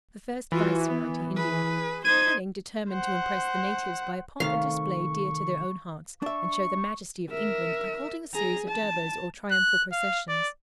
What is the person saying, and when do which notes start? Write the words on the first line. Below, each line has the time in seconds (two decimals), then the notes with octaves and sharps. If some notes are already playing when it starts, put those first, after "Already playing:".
The first Viceroy to India, Canning, determined to impress the natives by a pomp and display dear to their own hearts, and show the majesty of England, by holding a series of Durbars, or triumphal processions.
0.52 E3 F4 F#4
0.86 B3
1.35 G#4 B4
2.05 D#4 C5 G#6 D#7
2.90 C5 F#5
4.40 C3 D#3 A3 F5 C#6
6.22 D4 E5 C#6
7.30 A#4 E5
8.34 G#4 A#5
8.68 A5
9.51 F#6
9.92 F5
10.29 D5